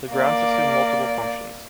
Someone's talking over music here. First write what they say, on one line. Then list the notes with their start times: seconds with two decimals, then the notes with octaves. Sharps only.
The grounds assume multiple functions.
0.13 A#3 D5